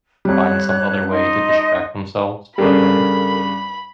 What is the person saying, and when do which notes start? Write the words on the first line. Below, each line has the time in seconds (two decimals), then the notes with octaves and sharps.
find some other way to distract themselves, but, like,
0.25 F2 G3 C#5 F#6
1.10 D#4 D#5 C6
2.58 G2 C#3 G4 A4 A#4 B5